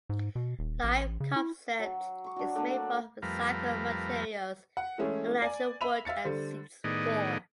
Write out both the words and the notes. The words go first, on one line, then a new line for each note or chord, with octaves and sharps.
Life concept is made from recycle materials and natural wood and seats four.
G#2
B2
D#1
A1
C#3
E4
F#3
C#6 D6
D4 F#4
A3 A#3 D4
F2 G3 A3 A#4 B4 F5
F#5
E3 G#3 A3 C#4 E4 G#4
D5 G#5
E5 B5 D#7 F7
E5 F5 A6 C#7
D3 G3 C5
A2 D#3 B3 G#4 D5 D#5